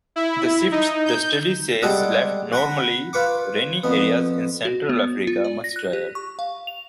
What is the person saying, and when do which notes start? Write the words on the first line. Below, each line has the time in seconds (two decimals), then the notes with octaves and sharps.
The shift, the study says, left normally rainy areas in Central Africa much drier.
0.16 E4
0.72 D#4
1.06 G6
1.82 G3 G#3 G4 A4 D5 F#5
2.53 F#5 A#5 B5
3.13 F4 B4 C#6 D6
3.84 F2 B3
4.65 F#4
4.89 B3
5.27 F4
5.44 D5
5.64 A#6
5.76 F#6
5.93 G4
6.15 C#6
6.39 F5
6.67 F7